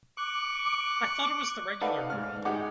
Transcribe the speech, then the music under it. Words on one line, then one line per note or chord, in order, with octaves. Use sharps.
I thought it was the regular rule.
C#6 D6 F#6
D#4 A4 B4 D5 F5 F#5
G#2 F6
G#3 D#4 F#4 G4 F#5 D6